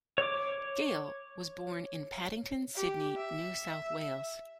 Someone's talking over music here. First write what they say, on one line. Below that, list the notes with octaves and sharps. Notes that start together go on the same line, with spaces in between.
Gale was born in Paddington, Sydney, New South Wales.
C#5 D6
G4
E5